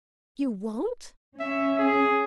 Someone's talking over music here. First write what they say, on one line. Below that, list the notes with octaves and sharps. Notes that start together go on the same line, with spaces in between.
"You won't!"
C#4 E5
G#4